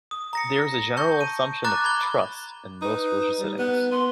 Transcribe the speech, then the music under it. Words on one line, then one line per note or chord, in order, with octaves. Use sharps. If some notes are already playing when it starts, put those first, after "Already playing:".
There is a general assumption of trust in most religious settings.
D#6
A#5 A#6 C#7
A5 C#6 G6
D#7
A#5 D6 F#6 A6
B5 G#6 G7
D#4 B4
G3
B3 F#6
B3 C6